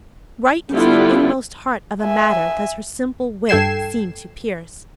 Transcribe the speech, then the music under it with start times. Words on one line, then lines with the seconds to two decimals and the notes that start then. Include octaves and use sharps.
Right into the inmost heart of a matter does her simple wit seem to pierce!
0.71 D3 G3 B3 D4 E4 F4
2.03 E5 G#5
3.49 G2 A4 G5 G#6 C7 E7